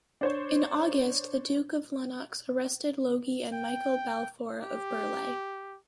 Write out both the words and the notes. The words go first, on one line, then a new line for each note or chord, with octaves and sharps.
In August the Duke of Lennox arrested Logie and Michael Balfour of Burleigh.
D4 C5 C#5
G5
G4